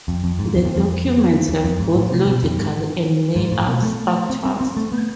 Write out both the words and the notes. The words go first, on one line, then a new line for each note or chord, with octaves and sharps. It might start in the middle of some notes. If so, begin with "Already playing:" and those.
The documents have both logical and layout structures.
F2
F2
G#2
E2
F2
F2
E2
F2
G#2
A2
C3
B2
F2
G#2
G#2
A2
B2
A3
C4
C4
C4
A3
B3